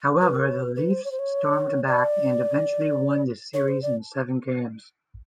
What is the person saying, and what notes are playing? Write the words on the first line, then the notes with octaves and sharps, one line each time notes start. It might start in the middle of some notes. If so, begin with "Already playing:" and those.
However the Leafs stormed back and eventually won the series in seven games.
B4
A#4
C#5
B4
B4
C5
C#5
C5
C#5
D5
C#5
C5
D5